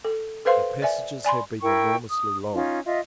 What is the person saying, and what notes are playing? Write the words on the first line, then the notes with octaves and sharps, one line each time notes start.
Our passages have been enormously long.
A4
A4 B4 C5 F5 C6
D5 E5 G#5
D5 G#5 B5 C6
E4 A#4 G5 C#6
D#6
C#4 D#4 F4
F4 D#5 E5